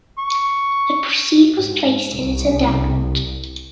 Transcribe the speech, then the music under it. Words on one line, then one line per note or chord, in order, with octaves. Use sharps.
The proceed was placed in its endowment.
C#6
G#2
C2